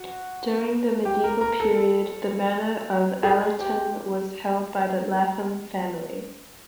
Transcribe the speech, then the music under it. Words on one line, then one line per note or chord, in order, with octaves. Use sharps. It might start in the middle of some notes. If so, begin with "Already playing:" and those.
During the medieval period the manor of Allerton was held by the Lathom family.
Already playing: F#4
G4
A#4
A#4
A4
G#4
G4